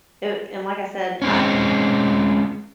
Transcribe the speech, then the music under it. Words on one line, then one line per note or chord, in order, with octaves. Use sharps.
It w and like I said, I
G#3 C4 C#4